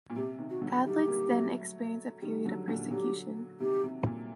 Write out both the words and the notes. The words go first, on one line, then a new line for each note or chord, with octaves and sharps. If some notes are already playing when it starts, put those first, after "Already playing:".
Catholics then experience a period of persecution.
A#2
C3 G4
C3 D#3
F#4
D3 F#3
D#3 G3 G4
G3 A#3
F#3 A3
D#3 G3
D3 F#3
A#2 D3
D3 F#3 G4
C3 D#3 G4
C3
A#2